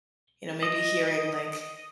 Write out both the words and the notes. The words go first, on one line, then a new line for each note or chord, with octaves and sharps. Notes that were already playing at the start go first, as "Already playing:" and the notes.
you know, maybe hearing like
D#5